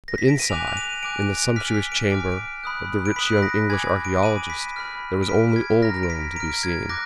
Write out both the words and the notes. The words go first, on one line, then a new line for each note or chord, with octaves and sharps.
But inside, in the sumptuous chamber of the rich young English archaeologist, there was only old Rome to be seen.
A#6
B6
D7
D#7
G#5 D6 F#6 F7
F7
D#7
G#5 D6 F#6 D7
G#5 D6 F6 B6
B6
D7
G#5 D6 F6 D7
B6
D7
B5 D#6 F#6
D7
B5 D#6 F#6 B6
A#6
G#5 B5 D6 G#6
D7
G#5 B5 D6 D#7
B6
B5 F6
D7
B5 F6 B6
G#6
A#5 F6 A#6
D7
B6
A#5 F6 D7
G#6
D6 F#6 A#6